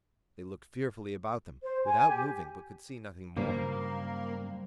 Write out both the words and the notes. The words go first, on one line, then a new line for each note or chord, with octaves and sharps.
They looked fearfully about them, without moving, but could see nothing more.
C5
G#5
G4
G2 C#3 F#3 G3 A#3 C5